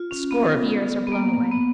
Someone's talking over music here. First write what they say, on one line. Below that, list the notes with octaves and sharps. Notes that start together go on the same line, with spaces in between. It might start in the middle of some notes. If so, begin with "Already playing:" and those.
A score of years are blown away.
Already playing: F4
C#4
B3
B3
A#3
B3